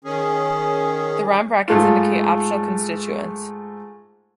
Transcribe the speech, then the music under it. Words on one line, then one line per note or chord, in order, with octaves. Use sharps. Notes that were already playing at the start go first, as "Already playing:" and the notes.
The round brackets indicate optional constituents.
D#3 C#4 G#4
G#2 A3 F4